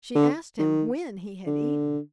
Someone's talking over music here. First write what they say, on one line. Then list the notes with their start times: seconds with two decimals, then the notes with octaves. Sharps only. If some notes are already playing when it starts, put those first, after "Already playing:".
She asked him when he had eaten.
0.15 D3
0.59 D#3
1.46 D3